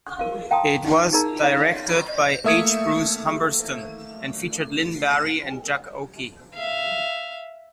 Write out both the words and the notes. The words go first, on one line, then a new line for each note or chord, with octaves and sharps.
It was directed by H. Bruce Humberstone and featured Lynn Bari and Jack Oakie.
A#4 F5
F5 G5 A5 A#5 C6 D#6
D#4
D#4 G#4 A#4 D5 A#5 E6
A4 C#5 F5
A3 A#3 E5 D#6 G#6 C#7
E5 F5